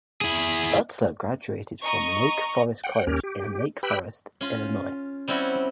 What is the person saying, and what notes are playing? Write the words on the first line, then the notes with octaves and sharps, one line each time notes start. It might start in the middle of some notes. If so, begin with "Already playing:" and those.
Butler graduated from Lake Forest College in Lake Forest, Illinois.
E4 G#4
D#5 A#5 C#6
F#5 G5
D#2 C#4 G4 A#4
G4
G4 B4 G5 B5 E6
C#4 F4
G3 C4 C#4 E4 F#4